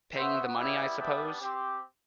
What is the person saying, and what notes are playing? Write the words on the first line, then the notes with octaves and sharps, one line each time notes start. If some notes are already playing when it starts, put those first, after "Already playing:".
Paying the money, I suppose?
B3 F#4 C5 E5
G3 B3 E4
G3 B3 D4 E5 G5
C4 G4